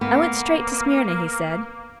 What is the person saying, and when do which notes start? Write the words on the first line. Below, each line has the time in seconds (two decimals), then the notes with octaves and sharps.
'I went straight to Smyrna,' he said.
0.01 A#3 B3